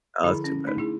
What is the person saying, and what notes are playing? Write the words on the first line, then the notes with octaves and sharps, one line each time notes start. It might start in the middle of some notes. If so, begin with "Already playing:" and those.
Oh, that's too bad.
D3 F3 E4 G#4 A4 B5
C#4
A3 D#4
E4 G#4